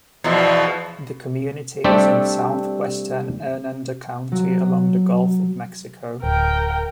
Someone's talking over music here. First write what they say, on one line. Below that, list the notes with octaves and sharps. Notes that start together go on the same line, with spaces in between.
The community is in southwestern Hernando County, along the Gulf of Mexico.
E2 B2 F3
G3 A3 C4 D4 G4 A4
F#3
D1 A#4 G5